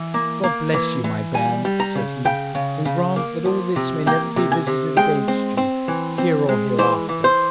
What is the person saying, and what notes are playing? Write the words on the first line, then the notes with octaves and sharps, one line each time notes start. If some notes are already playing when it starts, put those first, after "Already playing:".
'God bless you, my bairn,' said he, 'and grant that all this may never be visited against you, here or hereafter!'
Already playing: E3
A#3
A#3
E3
E3
G3 G#5
G3
A#5
C#3
C#3 G5
C#3
C#3
A#3
F3
C3
A#3 G5
C3
G#5
C3
G#3 G5
C4
C4
E3
C4
G#3
E3 C5
E3
C5